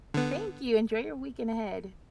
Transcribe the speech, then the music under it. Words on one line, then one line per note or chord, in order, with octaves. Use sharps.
Thank you. Enjoy your weekend ahead.
D3 B3